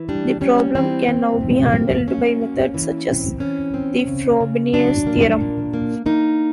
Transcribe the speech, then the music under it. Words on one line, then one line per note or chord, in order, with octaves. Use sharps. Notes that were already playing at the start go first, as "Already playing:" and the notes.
The problem can now be handled by methods such as the Frobenius theorem.
Already playing: E3
G3 D4
G3 C#4
E3 C4
E3
B2
A#3
F#3 C#4
A#3
E3
C4
E3 C#4
C4
C#3
C#3
F#3 D4
A#3
A#2
A#3
A#3 D#4